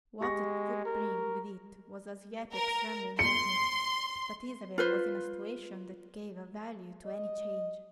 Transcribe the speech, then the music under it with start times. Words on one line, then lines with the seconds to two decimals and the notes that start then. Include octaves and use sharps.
What it would bring with it was as yet extremely indefinite; but Isabel was in a situation that gave a value to any change.
0.21 G#3 G4 C#6 A#6
0.86 A#4
2.53 A#4
3.19 C6 C#7
4.78 F4 B4 C5
7.06 D#5